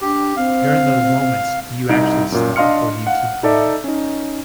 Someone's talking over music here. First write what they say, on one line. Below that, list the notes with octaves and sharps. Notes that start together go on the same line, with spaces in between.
during those moments, do you actually stop or do you keep going?
D4 G4
C4 F5
C2 D#4 D7
F#2 A#2
D4 D#5 F5 C6 F6 C#7
F5 F#5
D#4 A4 D5 E5
C#4 D#4